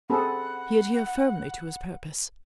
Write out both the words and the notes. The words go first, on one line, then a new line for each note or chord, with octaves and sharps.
He adhered firmly to his purpose.
C4 G#4 A4 F#5 B5